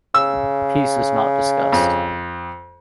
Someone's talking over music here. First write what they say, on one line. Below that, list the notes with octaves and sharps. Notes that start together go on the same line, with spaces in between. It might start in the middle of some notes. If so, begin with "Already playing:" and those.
Peace is not discussed.
C#3 E6
F2